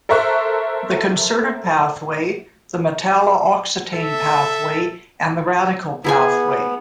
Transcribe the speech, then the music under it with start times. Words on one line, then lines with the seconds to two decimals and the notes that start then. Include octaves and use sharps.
The concerted pathway, the metalla oxetane pathway and the radical pathway.
0.09 A4 A#4 C5 E5 C#6 F#6
3.93 A4 E5
6.04 B3 E4 G#4 G#5